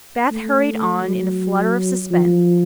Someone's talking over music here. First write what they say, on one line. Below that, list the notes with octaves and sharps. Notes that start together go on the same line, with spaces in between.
Beth hurried on in a flutter of suspense.
A3
F#3
F3